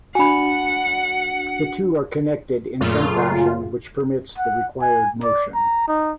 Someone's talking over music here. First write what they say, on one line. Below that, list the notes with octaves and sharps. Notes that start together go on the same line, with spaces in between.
The two are connected in some fashion which permits the required motion.
D4 F#4 F#5 G#5 B5
F#2 A#2 C#3 A3 F4
F#5
G#5
D5
A#5
D#4